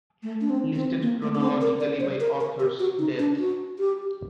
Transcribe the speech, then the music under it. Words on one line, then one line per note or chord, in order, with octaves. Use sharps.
Listed chronologically, by author's death.
A3
D4
C4
C4
A#3
A3
D4
C4
A#4
D5
C5
A#4
A#4
G4
F#4
D#4
D4
F#4
G4